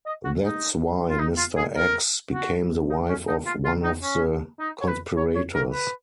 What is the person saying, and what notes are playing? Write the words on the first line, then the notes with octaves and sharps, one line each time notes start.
That's why Mr. X became the wife of one of the conspirators.
D#5
F#4
D#4
F4
D#4
F4
G#4
A#4
F#4
D#4
C#4
D#4
F4
F4
D#4
C#4
D#4
C#5
B4
C#5
C#5
A#4
B4